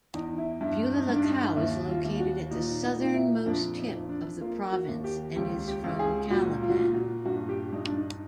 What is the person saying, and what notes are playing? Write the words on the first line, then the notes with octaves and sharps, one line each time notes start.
Bulalacao is located at the southernmost tip of the province and is from Calapan.
E2 D#4
E4
G2 E4
D#4
G2
D4
D#4
D#2 E4
F4
D#2
F#4
A#2 D#4
D#4
A#2
E4
F2 D4
D#4
F2
D4
A#3 F4
F#4
D#2
G4
C#2 G4
G4
C#2
G#4
A#2 F#4
F4
F#4
A#2 F4
F#4
G2 F#4
G4
G2 D#4
D4
D#4